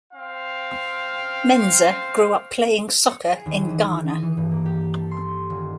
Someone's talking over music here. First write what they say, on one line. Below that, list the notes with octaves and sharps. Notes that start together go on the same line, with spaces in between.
Mensah grew up playing soccer in Ghana.
C4 F5
C#7
G#4
D#2
E3
D#6
E3
G2
A#3
G4
A4
C6
D#1